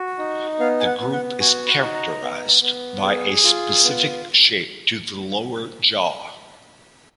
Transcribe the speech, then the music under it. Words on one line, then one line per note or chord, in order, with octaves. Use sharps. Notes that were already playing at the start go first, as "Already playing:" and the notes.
The group is characterized by a specific shape to the lower jaw.
Already playing: F#4
D#4
B3 F5
G#5
F#5
B3
F#5
F#4 G#5
B5
D#4
A#5
B3
B3
G#4
F4
B3